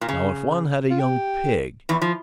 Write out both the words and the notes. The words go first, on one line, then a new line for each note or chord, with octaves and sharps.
Now, if one had a young pig!
A#2
C#3
F4
G4
E2 E3
F3